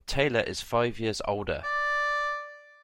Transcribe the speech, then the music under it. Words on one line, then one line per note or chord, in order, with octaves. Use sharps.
Taylor is five years older.
D5